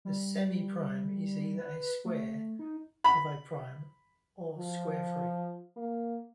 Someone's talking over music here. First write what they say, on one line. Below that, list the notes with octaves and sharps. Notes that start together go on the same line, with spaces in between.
A semiprime is either a square of a prime or square-free.
G3
B4
A3
D#4
B5
F3
A#3